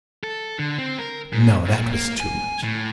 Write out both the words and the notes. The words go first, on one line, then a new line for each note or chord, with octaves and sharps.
No, that was too much!
A4
D3
C4
A#4
G#2
A#2
A#3
G#5
A2